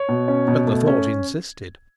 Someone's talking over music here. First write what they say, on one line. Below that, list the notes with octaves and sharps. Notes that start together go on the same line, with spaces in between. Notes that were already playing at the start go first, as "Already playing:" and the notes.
But the thought insisted.
Already playing: C#5
B2
C#4
B2
A3
C#4